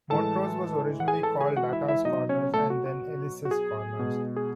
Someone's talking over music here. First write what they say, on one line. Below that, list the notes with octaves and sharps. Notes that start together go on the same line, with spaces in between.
Montrose was originally called Latta's Corners and then Ellis' Corners.
A2 E3 G#3 A4 A5
F#5
G#4 G#5
A4 A5
G#4 G#5
F#4 F#5
E4 E5
E4 E5
B2 F#3 D#4 D#5
C#4 C#5
A3 A4
F#4
F#4
F#4
G#4
B2 G#3
G#4